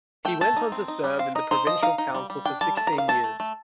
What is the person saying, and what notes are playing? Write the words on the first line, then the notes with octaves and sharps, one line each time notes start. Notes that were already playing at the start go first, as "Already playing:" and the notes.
He went on to serve in the provincial council for sixteen years.
A3 G5
A3 A5
D#4
C4
D#4
G3
C4 F5
D#4 D#5
D#4 C5
F3 D#5
D#4 F5
D#4
G3
G3
D4 G5
G3 A5
A3 A5
A#5
D#3
F5
A3 A5
A3
A3